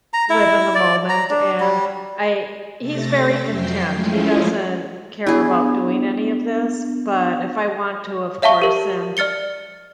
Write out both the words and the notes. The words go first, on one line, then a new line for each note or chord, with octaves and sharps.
live in the moment. And I he's very content. He doesn't care about doing any of this. But if I want to, of course, then
A#5
E4
D5
A#5
D4
G3
C3 A3 A6 A#6
C#4 E5
F2 F#3 G5 C7
F3 G#3 A3 C#4 E4 F4
B3 D4 E4 G#4
C#5 E5 F5 A5 C#6
G4 A#4
D5 F6 A6 C#7 G7